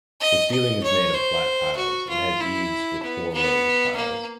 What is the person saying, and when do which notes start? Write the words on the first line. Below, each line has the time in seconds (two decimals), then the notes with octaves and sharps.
The ceiling is made of flat tiles and has eaves with four rows of tiles.
0.21 D#5
0.51 D#5
0.83 C#5
1.14 C5
1.76 F#4
2.09 F4
2.40 E4
3.03 B3
3.33 B3
3.96 A#3